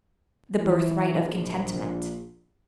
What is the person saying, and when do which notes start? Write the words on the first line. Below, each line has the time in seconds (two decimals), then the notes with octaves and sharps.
The birthright of contentment.
0.61 E3
1.25 A#1